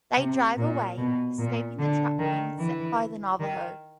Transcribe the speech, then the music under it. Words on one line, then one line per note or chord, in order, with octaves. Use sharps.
They drive away, escaping the trap being set by the Navajo.
C3
A#2
B2
A#2
D3
D#3
E3
D#3